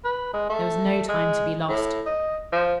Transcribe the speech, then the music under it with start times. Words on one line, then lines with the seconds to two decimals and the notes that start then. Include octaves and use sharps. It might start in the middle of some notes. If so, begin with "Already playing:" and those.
There was no time to be lost.
0.04 B4
0.33 G#3
0.49 A3
1.08 G#3
1.68 A2
2.06 D#5
2.52 F3